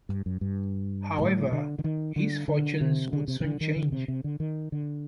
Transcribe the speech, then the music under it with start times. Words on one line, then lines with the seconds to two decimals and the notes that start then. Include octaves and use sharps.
However, his fortunes would soon change.
0.09 G2
0.26 F#2
0.41 G2
1.21 A2
1.52 D3
1.79 D3
1.84 D#3
2.16 D3
2.48 D3
2.81 C3
3.13 D3
3.28 C3
3.40 C3
3.44 D3
3.61 D#3
3.76 D3
3.92 C3
4.08 C3
4.24 D3
4.40 D#3
4.72 D3